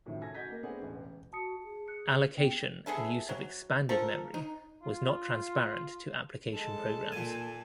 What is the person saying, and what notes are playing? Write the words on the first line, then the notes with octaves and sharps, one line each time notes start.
Allocation and use of expanded memory was not transparent to application programs.
F#2 A2 C3 D#3 F3
C#3 A4 G#5 G#6 A#6
F#4 D#5 G6 G#6 A#6 B6
A#3
A3 B3 C4 D4 G#4
E1 A1 C#3
F#4 A5 D#6 C#7
G#4
F#6 C#7
B3 G#4 G5
B3 G#4 A4 E5
F#3
F3 A4 A#4
D#4
F4
G#3 A4 A5
A#2 A#3 G#5